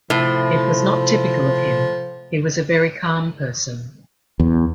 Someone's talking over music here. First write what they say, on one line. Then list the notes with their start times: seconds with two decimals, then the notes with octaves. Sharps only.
It was not typical of him, he was a very calm person.
0.10 A2 C3 F3
4.40 E2